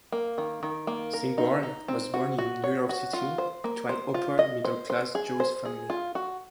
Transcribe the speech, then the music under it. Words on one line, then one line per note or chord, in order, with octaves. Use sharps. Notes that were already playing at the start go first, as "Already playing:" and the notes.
Spingarn was born in New York City to an upper middle-class Jewish family.
A#3
D#3
D#3
A#3
A#4
D#4
D#4
C4
F#4
F#4
C#5
F#4
F4
C5
A#3
C5
F4
D#5
C5
C5
G#4
C5
G#4
F4
F#4